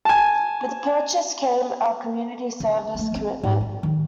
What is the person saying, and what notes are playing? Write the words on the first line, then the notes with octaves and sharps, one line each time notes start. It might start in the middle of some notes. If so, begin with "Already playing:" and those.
With the purchase came a community service commitment.
G#5 A5
C#3
A3 A#3
E3 C4
G#2
F4
D#3